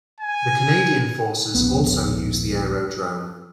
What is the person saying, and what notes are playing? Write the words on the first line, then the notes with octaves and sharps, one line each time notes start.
The Canadian Forces also use the aerodrome.
G#5
D#1 A#1 B3